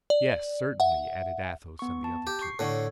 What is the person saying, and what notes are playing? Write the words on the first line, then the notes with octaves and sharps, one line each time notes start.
"Yes, certainly," added Athos and the other two.
D5
E5 F#5
B3 C#6
A5
G4
C#6 C7
A2 D3 A4 C#5